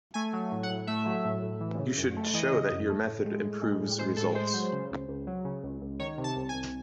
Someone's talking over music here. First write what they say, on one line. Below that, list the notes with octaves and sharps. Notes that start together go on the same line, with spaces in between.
You should show that your method improves results.
A3 G#5
F#3
A2
F#5
A2
A3 E5
F#3
A2
A2
E3
C#3
F#2
A3
E3 D#5
C#3
F#2
A3
A2
G#3
A2
G#3
A2
G#3 C5
A2 A4
G#3 C5
F#3
C#3
C#2
C#2
F#3
C#3
C#2
C#2
D#3 C#5
C3
A5
C2
G#5
C2